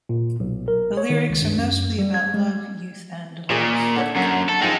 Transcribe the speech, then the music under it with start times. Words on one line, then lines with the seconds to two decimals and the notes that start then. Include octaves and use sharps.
The lyrics are mostly about love, youth and life.
0.09 A#2
0.40 B1
0.68 A#4
0.97 C#5
1.10 D#3
1.30 C#2
1.42 G2
1.58 F#2
1.99 G3
2.14 G#6
2.34 G#3
3.50 A#2 C#4 G#4 D#5
3.96 D3 C#5 E5
4.16 F#2 F#3 F#5
4.49 A4
4.61 D#3 F3 G#3 C4 D#4